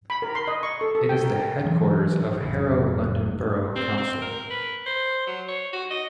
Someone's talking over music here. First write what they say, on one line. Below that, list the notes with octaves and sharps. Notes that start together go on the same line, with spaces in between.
It is the headquarters of Harrow London Borough Council.
B5
A#4
C6
D#5
C#6
A4
A4
G5
A#4
E3 F#3 G#3
F#1 F2 A2 C#3
C4
C4
A#4
B4
C5
F#3
C#5
F#4
D#5